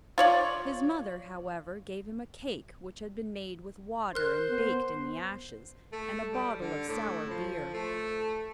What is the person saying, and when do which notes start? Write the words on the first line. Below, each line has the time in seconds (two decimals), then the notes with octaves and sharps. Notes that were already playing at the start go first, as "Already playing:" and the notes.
His mother, however, gave him a cake which had been made with water and baked in the ashes, and a bottle of sour beer.
0.18 F4 C#5 D5
4.15 A#4 C5 F#6
4.49 B3
5.92 A3
6.33 G3
6.61 D3
6.89 A2
7.30 F3
7.74 A3